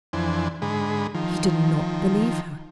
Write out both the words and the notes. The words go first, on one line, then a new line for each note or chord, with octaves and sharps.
He did not believe her.
F2 E3 D4 C5 G#5
G#2 D3 G#3 G#4 B5
D#3 F3